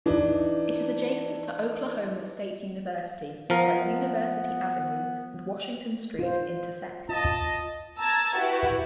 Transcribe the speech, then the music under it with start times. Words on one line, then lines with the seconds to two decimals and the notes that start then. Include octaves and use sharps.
It is adjacent to Oklahoma State University where University Avenue and Washington Street intersect.
0.06 E3 D4 D#4
3.50 F3 B3 A#4
6.19 F4 C5
7.09 F4 D#5 A5
7.97 A5 A#5 E6 G#6 A6
8.36 E4 F#4 G4 B4